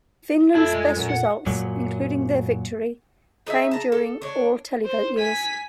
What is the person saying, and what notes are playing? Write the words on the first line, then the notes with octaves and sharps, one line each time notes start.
Finland's best results, including their victory, came during all-televote years.
F2 D4 E4 A4 E6
G#3
F#2 A#2
F#5
F#2 A#2 F#3
D#4 G#4 C#5 E5
A5 A#5
A4
D4 C#5
C5
G#5 B6